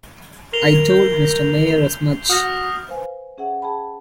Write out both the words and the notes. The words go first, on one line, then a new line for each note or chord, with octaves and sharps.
I told Mr. Mayer as much.
A#4 C7 F7 G7
G6
F#4 D#6 F6 A#6
B4 C5 F5 G#5
C#4 G#4 E5 F#5
G#4 G5 A5 B5